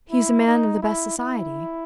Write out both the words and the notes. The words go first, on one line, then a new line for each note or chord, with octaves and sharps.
He's a man of the best society.
E4
D#4
E4
E4